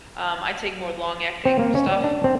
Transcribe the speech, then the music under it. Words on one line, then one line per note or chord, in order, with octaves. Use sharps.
um, I take more long-acting stuff,
C4
A#3
C#4
D5
D4
C4